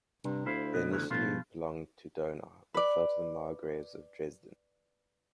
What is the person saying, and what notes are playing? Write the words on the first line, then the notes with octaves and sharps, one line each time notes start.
They initially belonged to Dohna, but fell to the Margraves of Dresden.
G2 C3
D2 E4 C5 F5
B2
E2 C#3 E3
G1 B2 F3 F4
B4 D5